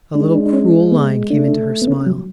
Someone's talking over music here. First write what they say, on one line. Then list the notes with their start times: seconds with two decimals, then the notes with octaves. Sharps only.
A little cruel line came into her smile.
0.15 G#3 D4
0.35 D4
0.46 D4
0.53 C#4
0.92 B3
1.30 A3 D4
1.82 B3
1.87 C#4
2.06 F#3